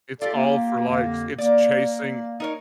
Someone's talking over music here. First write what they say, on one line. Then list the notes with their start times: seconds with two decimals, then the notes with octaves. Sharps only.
It's all for, likes, it's chasing
0.22 F4 G4 A4 D5
0.35 A#3
0.88 F2 D3 A#3
1.38 A#3 D5
2.40 D#4 A#4 C#5